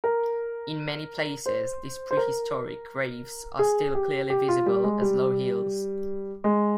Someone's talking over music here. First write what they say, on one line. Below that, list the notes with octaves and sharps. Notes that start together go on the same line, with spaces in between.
In many places, these prehistoric graves are still clearly visible as low hills.
A#4
C5
C5
A#4
G#4
G4
G4
F4
G3
G#3
G3
G#3